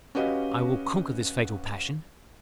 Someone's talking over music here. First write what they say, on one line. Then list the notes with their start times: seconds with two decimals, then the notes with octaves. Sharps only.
I will conquer this fatal passion.
0.15 C#4 F#4 G4 B4 D#5 F5